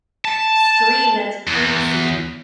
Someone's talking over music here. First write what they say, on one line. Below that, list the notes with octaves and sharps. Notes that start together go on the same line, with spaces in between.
stream, that's crazy.
A5
E2